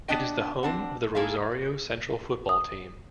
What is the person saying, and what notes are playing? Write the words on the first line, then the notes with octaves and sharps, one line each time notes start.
It is the home of the Rosario Central football team.
B3 D4 D#5 G5
C4 D4 F#5
A#3 E4 G#4 A4 F5
D#6